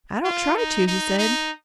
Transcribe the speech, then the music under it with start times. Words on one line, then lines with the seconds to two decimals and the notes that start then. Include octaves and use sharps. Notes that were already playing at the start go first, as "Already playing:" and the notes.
"I don't try to," he said.
0.24 F4
0.56 D#4
0.87 D#4
1.18 D#4